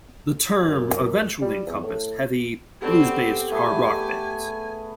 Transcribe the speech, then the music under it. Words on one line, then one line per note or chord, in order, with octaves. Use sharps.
The term eventually encompassed heavy, blues-based hard rock bands.
F#2
G3
E2
A2
B3 C4 G4 A4 C#5 D5
A3 G#4 B4 G#5